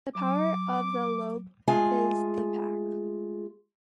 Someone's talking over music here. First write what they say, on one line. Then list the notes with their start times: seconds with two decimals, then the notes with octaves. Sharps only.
The Power of the Lobo is the Pack.
0.15 F#3 D6
1.67 G#3 A3 F4 G#4 G#5